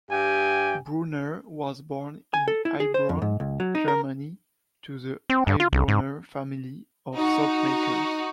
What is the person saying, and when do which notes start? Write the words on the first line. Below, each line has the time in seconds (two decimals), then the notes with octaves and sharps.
Bronner was born in Heilbronn, Germany, to the Heilbronner family of soap makers.
0.11 G2 G4 G5 G#5
2.34 G#5
2.48 A4
2.65 E4
2.80 G#4
2.94 C5
3.09 F2
3.22 G#2
3.40 C#2
3.60 F#3
3.75 D#4
3.88 A#4
5.30 C4
5.47 G2
5.60 F4
5.73 C2
5.88 G#2
7.14 D#4 F#4